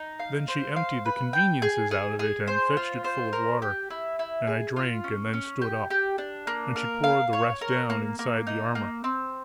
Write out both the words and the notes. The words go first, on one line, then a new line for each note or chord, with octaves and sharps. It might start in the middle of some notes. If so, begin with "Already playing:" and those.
Then she emptied the conveniences out of it and fetched it full of water, and I drank and then stood up, and she poured the rest down inside the armor.
Already playing: D#4
F5
C5
F5
B4
G5
G#4
G#4
G#4
C5
F4
C5
A#4
G4
E4
E4
G#4
F4
C#4
C#4
G4
G4
D4
A#3
A#4
F5
C#5
A#4
A#3
A#3
D#4
A#3
C4